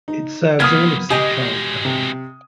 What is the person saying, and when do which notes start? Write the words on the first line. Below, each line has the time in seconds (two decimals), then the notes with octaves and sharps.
It serves all of Saint Charles Parish.
0.08 D#4
0.60 B1 A#2 A#3 B3 D#6 F6 G#6
1.10 B2 G#3 G4 D#5 G#5 D#6
1.85 C3